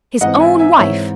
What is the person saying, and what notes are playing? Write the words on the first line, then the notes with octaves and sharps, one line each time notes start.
His own wife!
G#2 E3 C4 D#5 F#5
E5 G#5
E5 G#5
G#2 E3 C4 C#5 E5